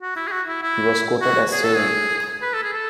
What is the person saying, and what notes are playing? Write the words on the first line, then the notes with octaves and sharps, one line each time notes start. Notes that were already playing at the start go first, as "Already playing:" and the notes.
He was quoted as saying.
F#4
E4
G#4
F#4
E4
E4
F#4
G#4
A4
G#4
B4
A4
G#4
A4